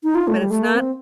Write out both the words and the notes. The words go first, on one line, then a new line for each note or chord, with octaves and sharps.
but it's not
D#4
F4
A3
G3
A3
A#3
C4